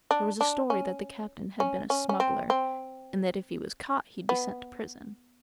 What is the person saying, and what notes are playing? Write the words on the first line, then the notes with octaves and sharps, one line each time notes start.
There was a story that the Captain had been a smuggler and that if he was caught he'd be sent to prison.
D4
D4
C#4
C#4
C#4
C#4
C4
C4
B3